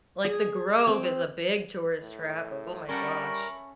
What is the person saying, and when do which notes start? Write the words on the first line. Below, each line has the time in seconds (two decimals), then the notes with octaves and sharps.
Like, The Grove is a big tourist trap oh my gosh.
0.25 G#4
0.87 C4
2.01 A2
2.89 G3 C#4 A4 A#4 E5 F#5 B5 C#6